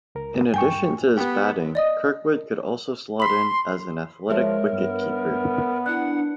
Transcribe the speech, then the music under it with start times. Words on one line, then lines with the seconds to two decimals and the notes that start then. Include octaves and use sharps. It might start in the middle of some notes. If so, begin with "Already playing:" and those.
In addition to his batting, Kirkwood could also slot in as an athletic wicket-keeper.
0.15 C#2 A#4
0.54 G2 G5 G#5 C#6
1.17 B3 G4
1.75 D5 D#5 D#6
3.20 B5 C6 B6
4.30 F3 G#3 A#4 C#5 E5
4.72 G2 B3
5.86 D4 E4 F#5 F#6